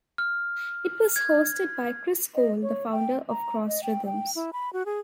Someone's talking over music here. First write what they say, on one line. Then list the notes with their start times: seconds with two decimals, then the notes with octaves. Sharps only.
It was hosted by Chris Cole, the founder of Cross Rhythms.
0.18 F6
1.16 G#6
2.35 D#5
2.62 C#5
2.92 G5
3.30 A#5
3.67 D#5
3.83 G5
4.06 G5
4.35 E4
4.53 B5
4.73 F#4
4.86 G#4